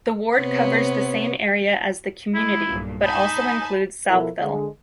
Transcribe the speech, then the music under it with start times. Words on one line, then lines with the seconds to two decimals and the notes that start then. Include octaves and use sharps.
The ward covers the same area as the community, but also includes Southville.
0.39 C3 B3 C#5
2.34 G#3 E4
2.70 B1 G2 A#2
3.03 D#4 G#5 A5 B5
4.10 B2 F3 E4 A4 A#4
4.40 D3 G#3